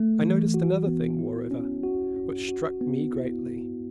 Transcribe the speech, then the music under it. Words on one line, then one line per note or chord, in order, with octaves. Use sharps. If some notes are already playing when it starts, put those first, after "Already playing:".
I noticed another thing, moreover, which struck me greatly.
Already playing: A3
E3
F#4
B3
E4
C#4
F#4
C#4
F#4
B3
E4